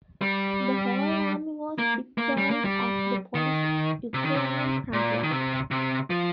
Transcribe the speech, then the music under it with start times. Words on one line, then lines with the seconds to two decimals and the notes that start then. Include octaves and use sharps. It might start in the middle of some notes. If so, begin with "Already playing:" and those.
The whole army was deployed at the Polish-Ukrainian frontline.
0.22 G3
1.79 A#3
2.18 A#3
2.38 G3
2.50 A#3
2.65 G3
3.35 D#3
4.14 C3
4.24 D#3
4.35 C3
4.93 A#2
5.23 D#3
5.31 C3
5.71 C3
6.10 F3